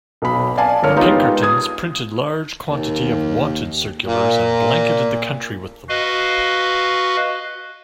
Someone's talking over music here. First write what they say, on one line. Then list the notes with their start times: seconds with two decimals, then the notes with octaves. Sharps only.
The Pinkerton's printed large quantity of "Wanted" circulars and blanketed the country with them.
0.22 B1 B2 B5
0.57 D5 F5 G#5 A5
0.83 G1 D3 A#4 C#5 F6
0.96 G#3 B3 D#4 F4 G4 F5
1.43 D#6 G#6
2.70 D#2
4.06 A#2
5.89 F#4 B4 D#5 F5